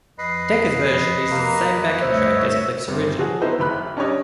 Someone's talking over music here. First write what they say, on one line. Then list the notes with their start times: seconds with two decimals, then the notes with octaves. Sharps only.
Dekker's version uses the same backing track as Cliff's original.
0.18 F2 B4 D#5 B5 C7
1.31 A#3
2.01 D2 G2 C5 C#5 E5
2.88 G1 C4
3.18 F3 F#3 F#4 G#4
3.41 B3 D#4 E4 B4 C5
3.59 F#1 F#2 B5 F#6
3.97 C#4 D4 G4 C#5 D#5